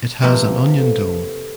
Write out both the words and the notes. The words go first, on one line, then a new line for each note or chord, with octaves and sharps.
It has an onion dome.
C3 F3 A#3 B4
A4